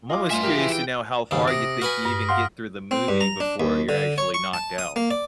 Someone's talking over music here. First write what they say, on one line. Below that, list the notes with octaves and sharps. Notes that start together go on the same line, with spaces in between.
I'm almost curious to know how far you think you even get through the movie before you're actually knocked out.
F4 D#5 D6
G2 A3 E5 G#5 C6
F3 G4 A#4
E3 G#4
G5
D#2 G#2 C#3
C3 D#6 A#6 D7
F#4 B4 G#5 F6 B6
G2
F5 F#5 C6 F6
C4
G2
A#5
D4
D#2
D3
C#5
C#6
A5
D#6
A#3
D5